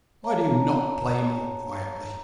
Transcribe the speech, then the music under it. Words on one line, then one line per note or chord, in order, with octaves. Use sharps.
Why do you not play more quietly?
C#5 A5 A#5